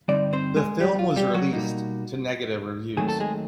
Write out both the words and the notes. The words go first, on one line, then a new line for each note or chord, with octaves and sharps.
The film was released to negative reviews.
G2 D3 G3 C4 D#4 D5
C4 C5
G#3 G#4
G3 G4
F4
G3 G4
F#3 F#4
B2 G3 A#3 D#4
D#2 D#3 F#3 A3 C4 G#4
A4
G#3 G#4